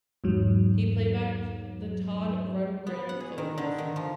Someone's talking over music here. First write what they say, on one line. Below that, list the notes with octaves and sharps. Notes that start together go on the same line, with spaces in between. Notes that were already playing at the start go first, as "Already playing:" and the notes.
He playbacked the Todd Rundgren vocals.
E2 G#2 F#3
B3
F#5
G#4
D#3
D3
D#3
F3